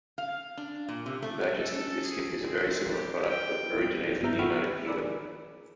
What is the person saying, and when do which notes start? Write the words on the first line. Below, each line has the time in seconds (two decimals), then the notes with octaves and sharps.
The digestive biscuit is a very similar product that originated in the United Kingdom.
0.18 F5
0.57 D4
0.88 A#2
1.06 C3
1.22 A3
1.61 C#4 A4
2.03 G#4
2.45 C4 A#4
2.92 G4
3.28 D#5 G5
3.62 E4
4.23 G2 B3 E5 A#5 F6 G6
4.39 F#5 G5 B5 C#6 E6 F6
4.86 G#4 A#4 D5 B5 E6